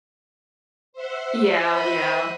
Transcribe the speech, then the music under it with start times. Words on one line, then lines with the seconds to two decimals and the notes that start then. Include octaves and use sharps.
Yeah, yeah.
0.93 C5 E5 F#5
1.73 D#5 B5